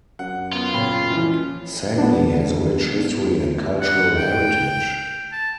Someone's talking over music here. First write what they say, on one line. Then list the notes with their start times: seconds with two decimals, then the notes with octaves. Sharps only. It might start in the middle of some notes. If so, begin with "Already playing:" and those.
Sangli has a rich history and cultural heritage.
0.19 F#2 F#5
0.53 B3 F4
0.74 A#2 C#3 C#5 G5 B5
1.10 C#2 E3 F3 E4
1.98 B3 D4
3.81 F#5
4.17 G5
5.32 A5